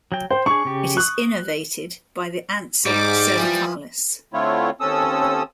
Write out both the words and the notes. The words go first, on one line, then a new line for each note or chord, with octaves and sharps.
It is innervated by the ansa cervicalis.
F#3 G5
C5 G5
D4 G#4 C#6
C#3 G4
C#6 D#6 F#6
G#2 G3 D6
E3 F3
D3 A3 C4 E4 F4 C#5
D#2 C4 C#4 A4 D#6 E6